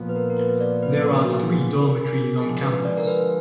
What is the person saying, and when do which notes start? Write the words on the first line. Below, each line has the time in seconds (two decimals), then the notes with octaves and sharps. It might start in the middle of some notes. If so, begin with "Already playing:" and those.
There are three dormitories on campus.
Already playing: A#2 F3 B3
0.09 B4
0.16 A#4
0.30 A#4
0.38 B4
0.60 D5
0.83 B4
1.05 A#4
1.23 F#4
1.28 G#4
1.51 G#4
1.80 A#4
2.01 G#4
2.10 A#4
2.40 D3 F3 G#3 G#4
2.63 B4
2.85 D5
2.97 A#4
3.07 B4